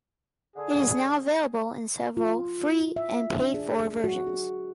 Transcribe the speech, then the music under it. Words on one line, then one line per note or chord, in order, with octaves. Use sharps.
It is now available in several free and paid-for versions.
D3 G#4
F4
E5
D4
G#4
F#4
G#4